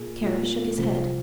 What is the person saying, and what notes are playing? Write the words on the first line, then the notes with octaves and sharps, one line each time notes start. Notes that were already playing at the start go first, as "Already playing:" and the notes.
Kara shook his head.
Already playing: A#2 A#3 G#4
A#2 A#3 G#4
C2 C3 F3 C4 F4